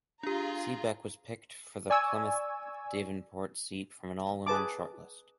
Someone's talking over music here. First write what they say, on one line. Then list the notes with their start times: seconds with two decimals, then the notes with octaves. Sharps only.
Seabeck was picked for the Plymouth Devonport seat from an all-women shortlist.
0.23 D4 F4 G4 G#4 A#5
1.90 D5 G#5 C#6 E6 G#6
4.46 G#4 B4 A5 D6